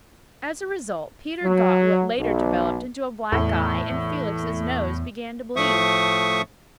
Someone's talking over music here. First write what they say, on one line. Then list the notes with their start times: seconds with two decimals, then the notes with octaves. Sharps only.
As a result, Peter got what later developed into a black eye, and Felix's nose began to bleed.
1.43 F#3
2.18 B1
3.32 E2 A2
3.91 E2
5.56 A2 F3 A3 E5 C#6 D#6